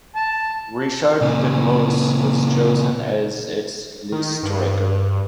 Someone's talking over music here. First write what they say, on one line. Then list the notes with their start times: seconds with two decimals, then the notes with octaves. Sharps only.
Richard de Mos was chosen as its "lijsttrekker".
0.16 A5
1.22 A#2 C#3
4.12 D#3
4.43 G2